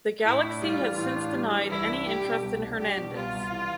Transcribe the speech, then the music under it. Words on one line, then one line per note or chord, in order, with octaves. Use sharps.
The Galaxy has since denied any interest in Hernandez.
A2 E4
D4
G3 F4
E3
A2
D4
G3
E3
C2 E4
D4
G3 G4
B2
C2
D4
G3 G4
B2
C2 F4
C2
E3